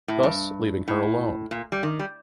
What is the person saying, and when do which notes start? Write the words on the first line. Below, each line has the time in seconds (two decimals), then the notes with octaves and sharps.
Thus leaving her alone.
0.08 A2
0.23 G2
0.88 A2
1.51 A#2
1.72 G3
1.83 D#3
1.99 G3